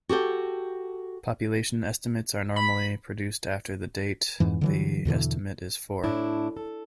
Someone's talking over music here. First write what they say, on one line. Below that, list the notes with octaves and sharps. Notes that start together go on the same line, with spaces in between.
Population estimates are normally produced after the date the estimate is for.
F#4 G4 A4 G5
B5
F2 G#2 E3
D3 E3 F#3
E2 B2 D3 E3
A2 D4 E4
A4